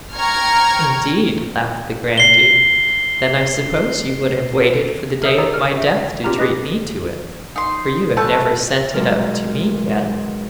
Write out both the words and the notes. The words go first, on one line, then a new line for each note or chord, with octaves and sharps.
'Indeed,' laughed the grand duke; 'then I suppose you would have waited for the day of my death to treat me to it, for you have never sent it up to me yet.
G5 A#5 C#6 F6 G#6
C7 G7
A#4 C#5 E5 D#6 E6 G6
G4 G#4 C#5 D5 A#5 E6
F6
F#4 E5
C4 D4 F4 G4 A#4 A#5
G4 G#4 B4 D#5
D#4 C6
A3 B4 A5 G6
B1 G#3 A#4